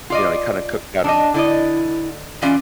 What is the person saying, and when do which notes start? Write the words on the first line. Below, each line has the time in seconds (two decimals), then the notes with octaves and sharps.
you know, you kinda cook that on
0.10 F4 D5 D#5
1.04 D4 D#5
1.34 D3 E4 D5 D#5
2.42 E3 C#4 F4 D5